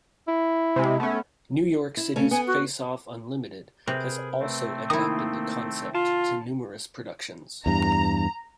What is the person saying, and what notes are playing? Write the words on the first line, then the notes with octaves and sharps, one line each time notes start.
New York City's Face Off Unlimited has also adapted the concept to numerous productions.
E4
C3 G#3
A3 B3 C#4
E4
C#3 A3 C#4
B3 G#5
F#4
C3 G#4 A#4 B4 G6
A3 C4
D#3 A#3 E4 D#6
F4 A5
E2 G2 A#5